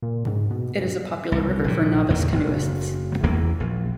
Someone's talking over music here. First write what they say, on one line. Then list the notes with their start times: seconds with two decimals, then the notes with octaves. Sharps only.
It is a popular river for novice canoeists.
0.02 A#2
0.27 G#2
0.50 B2
0.80 G2
1.32 C2
1.64 A#1 A#2
2.10 E2 A#2 D3 D#3
2.32 F#1
3.24 E2 E3 A#3
3.60 A#1